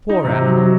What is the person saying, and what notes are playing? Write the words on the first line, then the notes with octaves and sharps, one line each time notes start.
Poor animal!
D#4
C3
F#3
F#3